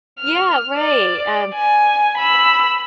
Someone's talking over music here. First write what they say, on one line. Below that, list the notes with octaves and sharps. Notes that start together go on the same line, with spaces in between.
yeah, right, um,
F6
D5
G#5
B5 E6